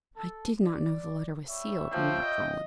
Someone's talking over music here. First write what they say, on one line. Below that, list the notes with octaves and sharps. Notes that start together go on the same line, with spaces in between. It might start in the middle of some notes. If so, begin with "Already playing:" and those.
"I did not know the letter was sealed," remarked Roland.
A4
D5
G3 C#5 E5
F3 G5
D#5